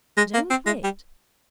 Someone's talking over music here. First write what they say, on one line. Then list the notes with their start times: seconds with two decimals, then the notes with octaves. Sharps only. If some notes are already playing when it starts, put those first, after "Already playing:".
Don't wait.
0.17 G#3
0.34 A#3
0.50 C4
0.67 G#3
0.84 G3